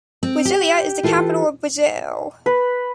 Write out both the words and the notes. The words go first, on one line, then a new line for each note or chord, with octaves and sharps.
Brasília is the capital of Brazil.
C4
G4
E3 F4 A4
B4